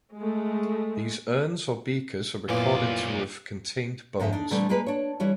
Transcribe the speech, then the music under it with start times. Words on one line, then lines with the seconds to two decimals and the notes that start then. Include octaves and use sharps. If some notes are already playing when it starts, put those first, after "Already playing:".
These urns or beakers are recorded to have contained bones.
0.17 G#3 A3
2.49 C2 F#2 A#2 E3 B3 F4 D5
4.20 G#2 D3 C5 D#5 E5
4.33 D4 D#4
4.50 A#2 D3 E3 G3 A3 C4
4.69 G3 G#3 A#3 G#4 B4
4.86 D4 C#5
5.20 E3 G3 C#5